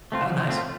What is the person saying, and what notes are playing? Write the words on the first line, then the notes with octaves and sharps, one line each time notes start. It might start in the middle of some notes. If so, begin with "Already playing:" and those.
Oh, nice.
A3 C4 F4
F3
A3 C4 F4